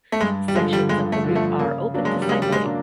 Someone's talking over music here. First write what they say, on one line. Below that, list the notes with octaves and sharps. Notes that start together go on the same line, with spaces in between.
Sections of the route are open to cycling.
A3
G2 G#3
G3
D3 F3 G#3
G3
G2 G#3
A3
D3 F3
A3
C#3 A#3
F#3 A#3 D4
G#3
G3
C#3 G#3
G3
G#3
F#3 A#3 D4